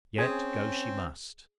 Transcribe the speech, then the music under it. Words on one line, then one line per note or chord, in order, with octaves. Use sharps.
Yet go she must.
C4 C#4 G#4 G#5